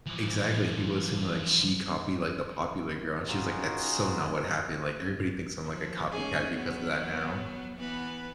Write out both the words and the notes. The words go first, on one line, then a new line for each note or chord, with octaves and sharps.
copied exactly, and people assume that, like, she copied, like, the popular girl. And she was like, "That's so not what happened. Like, everybody thinks I'm, like, a copycat because of that now."
E3 F3
C#4 D#4 F4 F#4 G#4
F3
G#3 C#4 G#4
F#3 B3
E3 B3 B4